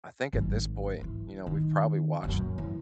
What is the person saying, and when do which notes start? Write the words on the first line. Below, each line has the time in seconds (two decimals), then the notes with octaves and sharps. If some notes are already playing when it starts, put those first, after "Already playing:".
I think at this point, you know, we've probably watched
0.33 G#1 F#3
1.03 E3
1.47 D#3
2.24 F#2 A#2
2.58 E3